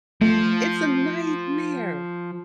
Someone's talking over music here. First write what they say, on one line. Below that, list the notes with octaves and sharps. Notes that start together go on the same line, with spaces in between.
It's a nightmare.
F3 A3